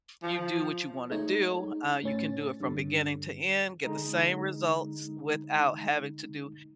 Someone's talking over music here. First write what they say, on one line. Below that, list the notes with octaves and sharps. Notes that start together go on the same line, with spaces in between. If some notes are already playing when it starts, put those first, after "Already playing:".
you do what you wanna do. Uh, you can do it from beginning to end, get the same results without having to do
F3
G#3 A3 D#4 C#5
A2 C#4 A6
G2 D3
D3 G#3 D#4